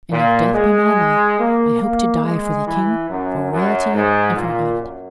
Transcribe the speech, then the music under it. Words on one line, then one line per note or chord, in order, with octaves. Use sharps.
And if death be my lot, I hope to die for the king, for royalty and for God.
A#2
G#3
A#3
A#3
G#3
E3
F#2
F#2
G#2
A#2
F#2